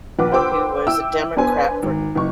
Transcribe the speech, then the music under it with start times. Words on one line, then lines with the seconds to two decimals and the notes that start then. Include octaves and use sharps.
who was a Democrat for
0.19 A#1 B4 F#5 D6
0.31 B4 C5 F#5 G5 D6 E6
0.87 E4 G5 E6
1.36 B3 D4 B4 C5 G#5
1.83 G#1
2.15 F#1 C#6